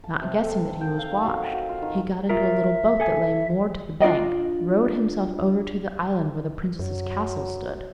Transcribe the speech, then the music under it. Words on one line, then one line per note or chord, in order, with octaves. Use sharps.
Not guessing that he was watched, he got into a little boat that lay moored to the bank, rowed himself over to the island where the princess's castle stood.
A5
C3
A4
A5
G5
F5
D#3
F#4
F5
F#4
F4
D#3
F4 A#4 E5
A4 G#5
D4 F4 D5 D#5
F#2 F#3